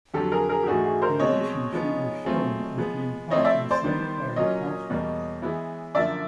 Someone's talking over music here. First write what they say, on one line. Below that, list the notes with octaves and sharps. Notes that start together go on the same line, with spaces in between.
In addition, she was shown as being part of a single-parent household.
F2 D3 F#3 G4 A4
G#4 A#4
G#4 A#4
G4
G#2 E3 A3 D4 F#4 G#4
F#4 G#4
A#4 C5
B2 G#3 C4 C#5 D#5
F3 G#3 B3 D#4 G#4
F#3 A3 C4 F4 G#4
F3 G#3 B3
F3 A3 C4 E4 C#5 D#5
D5 E5
C5 D5
D#3 G3 B3
A#2 F#3 A#3 C#4 F4 C#5 D#5
E2 B2 G3 A#3
E3 G#3 B3 E4
F#2 D3 F3 A#3 D5 E5